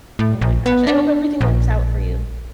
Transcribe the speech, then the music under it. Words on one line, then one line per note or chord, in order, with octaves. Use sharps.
Oh, my gosh. I hope everything works out for you.
A2
A#1
B3
D4
A#1